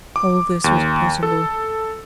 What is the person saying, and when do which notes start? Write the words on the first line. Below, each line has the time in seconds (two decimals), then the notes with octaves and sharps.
All this was possible.
0.16 D6
0.64 D#2
1.23 A4